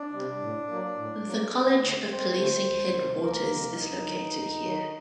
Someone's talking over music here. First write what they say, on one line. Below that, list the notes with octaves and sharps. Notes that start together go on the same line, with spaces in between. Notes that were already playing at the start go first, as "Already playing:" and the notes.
The College of Policing headquarters is located here.
Already playing: D4 D5
C3 G3
A2
F#3 A#3
A2
F#3 A#3
D#2
D3 A3 C4
D#2 C4 C5
D3 A3 C4
D2
C3 D#3
D2 A#3 A#4
C3 D#3
D#2 D#4
D#3 F#3
D#2
D#3 F#3